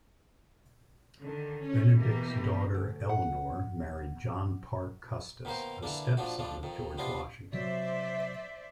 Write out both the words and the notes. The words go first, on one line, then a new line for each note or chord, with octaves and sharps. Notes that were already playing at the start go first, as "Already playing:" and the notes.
Benedict's daughter, Eleanor married John Parke Custis, a step-son of George Washington.
D3 D#3
C#4
B2 E3 A#3 G4 A#4
D2
F#5
B2 D#3 A#3 A#4 C5
D3 E3 A#3 D4
A#2 F3 D4 F#4
F2 F3 D4
F2 D#3
C3 B3 D4 F4 D5 C6
C3 F#3 C5 D5 E5